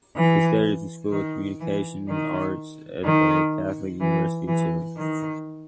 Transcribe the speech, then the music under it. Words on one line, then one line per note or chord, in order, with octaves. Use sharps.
He studied at the School of Communication Arts at the Catholic University of Chile.
E3
D#3
E3
D#3
D#3
E3
E3
D#3